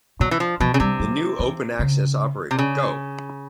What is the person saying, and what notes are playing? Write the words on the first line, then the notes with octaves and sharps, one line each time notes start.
The new open-access operator Go!
B2 F#3
E3
F3
B2 F3
C#3
C3 G3
F#3
E3
C#3
C3
C#3